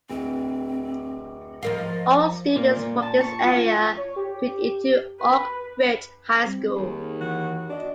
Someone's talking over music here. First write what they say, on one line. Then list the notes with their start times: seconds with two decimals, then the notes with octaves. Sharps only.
All students from this area feed into Oak Ridge High School.
0.10 D1 C4
1.63 F3 A#4 D#5 F5
2.56 A#2
2.79 A#2
3.02 A5
3.21 C#6
3.44 F4
3.97 C#5
4.16 G4
5.20 B4
6.45 G3 C4
6.76 D#2 G#4
7.21 E3 F#4
7.69 D4 F#4 D#5